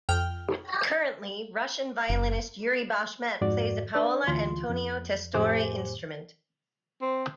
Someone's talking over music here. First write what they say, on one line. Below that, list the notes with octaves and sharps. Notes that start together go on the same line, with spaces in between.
Currently, Russian violist Yuri Bashmet plays a Paolo Antonio Testore instrument.
F2 G5 F6
F#1
F2 G#2 F#4 D5
D4 B4 D5
D2 E3 F4 C6
F2
F2 A2 G4 C5 G#5 D6
C4